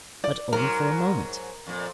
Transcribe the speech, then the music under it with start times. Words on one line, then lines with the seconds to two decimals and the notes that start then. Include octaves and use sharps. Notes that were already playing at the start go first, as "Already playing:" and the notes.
But only for a moment.
0.24 D5
0.53 G#2 F#3 A#4 A#5
1.67 F2 A#2